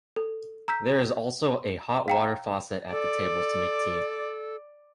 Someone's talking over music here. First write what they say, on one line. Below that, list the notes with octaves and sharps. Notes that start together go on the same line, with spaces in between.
There is also a hot water faucet at the tables to make tea.
A4
A#5 E6 G6 B6
F5 G5 A#5
A4 D5